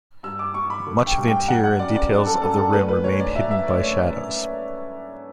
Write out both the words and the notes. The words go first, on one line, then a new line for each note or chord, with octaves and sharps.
Much of the interior and details of the rim remain hidden by shadows.
G2 E6
D6
G2 C#6
B5
D3
G5
G2
G5
F#3 F#5
F#5
F#2 D5
D5
F#3
A4
F#2 A4
A4
A3 B4
B4
D3 C#5
D5
F#3 E5
E5
A3 D5
C#5